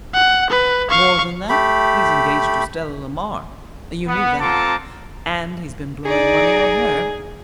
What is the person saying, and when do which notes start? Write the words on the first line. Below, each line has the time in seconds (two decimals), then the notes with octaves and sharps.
More than that, he's engaged to Stella Lamar--you knew that?--and he's been blowing money on her.
0.14 F#5
0.50 B4
0.90 F5 C#6
1.49 A3 G4 B5
4.07 B3
4.41 C4 F4 A4 A5 A#5 D6
6.05 D#4 G#4 D5